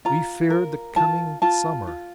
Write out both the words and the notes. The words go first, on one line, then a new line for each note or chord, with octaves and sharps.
We feared the coming summer.
F4 A#5
A#4
F4 A5
F4 A5
F4